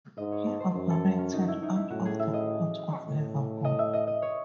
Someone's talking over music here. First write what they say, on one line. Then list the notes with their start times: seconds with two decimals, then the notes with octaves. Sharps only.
He operated out of the Port of Liverpool.
0.17 G#2 D#5
0.32 C#5
0.46 A4
0.60 C5
0.75 F#2 C5
0.90 A4
1.18 C#4
1.33 D#4
1.48 E4
1.63 D#4
1.76 E4
1.90 A2 F#4
2.05 G#4
2.19 E5
2.34 D#5
3.07 A2
3.65 D#5
3.79 E5
3.93 D#5
4.07 D#5
4.22 C#5